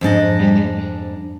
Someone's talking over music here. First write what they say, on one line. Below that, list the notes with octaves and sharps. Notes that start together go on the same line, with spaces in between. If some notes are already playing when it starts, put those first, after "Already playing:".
in it?
F2 G#2 D4 D#5